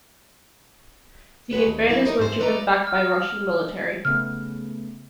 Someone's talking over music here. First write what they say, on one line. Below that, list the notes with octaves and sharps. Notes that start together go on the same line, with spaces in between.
The invaders were driven back by Russian military.
G#3 F#4 B4 C#5
D#2
F3 F#3 D4 E4
D#4 A#4
G#2 C5
A4 B4 D5 D#5 F#5 A#5
F6
C#3 A3 B3 F6